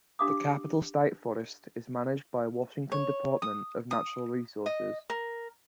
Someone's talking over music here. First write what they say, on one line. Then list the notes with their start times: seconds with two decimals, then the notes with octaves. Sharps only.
The Capitol State Forest is managed by Washington Department of Natural Resources.
0.19 D4 G4 F5 D6 D#6
2.92 C#5
3.42 D#6
3.91 D#6
4.66 D#5
5.10 A#4